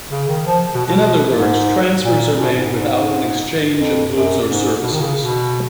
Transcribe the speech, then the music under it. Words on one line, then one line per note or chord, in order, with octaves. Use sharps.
In other words, transfers are made without an exchange of goods or services.
C#3
D#3
F3
B2
B2
G#2
A#2
C#3
B2
G#2
G#2
F2
F#2
G#2
B2
D#3
C#3
B2